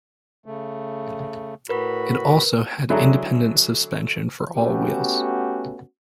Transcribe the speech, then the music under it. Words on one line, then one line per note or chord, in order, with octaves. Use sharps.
It also had independent suspension for all for wheels.
C#3 A3
A2 F#4 A#4 B4 B5
D3 F#3 G#3 E4 A4 A#5
A3 B3 C#4 F#4 G4